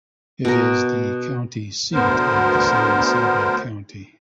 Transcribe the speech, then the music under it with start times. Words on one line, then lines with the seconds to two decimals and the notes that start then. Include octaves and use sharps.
It is the county seat of San Saba County.
0.45 B2 A#4
1.94 D2 B3 A#4 C5